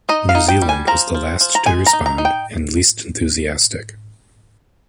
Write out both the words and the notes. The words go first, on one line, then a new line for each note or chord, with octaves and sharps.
New Zealand was the last to respond and least enthusiastic.
D#4 D#5
F5
D#4
G5
G3
G#5
F3 A#5
F3
F3
A#5
G#3 G#5
A#5
D#4
A#5
D#4
G5